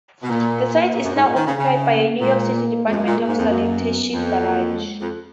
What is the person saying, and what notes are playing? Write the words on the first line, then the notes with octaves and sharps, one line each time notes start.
The site is now occupied by a New York City Department of Sanitation garage.
B2
A#2 A#3
A#2
F#2
G#2
A#2
D#3
C#3
C#3
A#3
A#2 G#3
A#3
F2 G#3
F#2
A#2
A#3
G#2
F2
F#2
B3
F2
A#3
G#3
F2